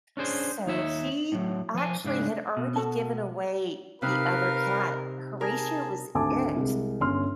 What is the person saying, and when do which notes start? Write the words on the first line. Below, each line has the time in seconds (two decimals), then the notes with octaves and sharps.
So, he actually had already given away the other cat, Horatio was it.
0.17 C#4 D4 G#4 C5
0.66 D#2 D#4 C#5 E5
1.32 A2 F#3
1.74 F3 G#5
2.04 G#2 C#3 D4
2.57 B2
2.76 F#4 A4 A5
4.02 C3 D#4 A#4 B4 F5
5.41 G#4 A#4 A5
6.15 G#1 D2 G#5 A5 D6
6.56 C2 G#3
7.00 G1 C#4 C#5 C6 F6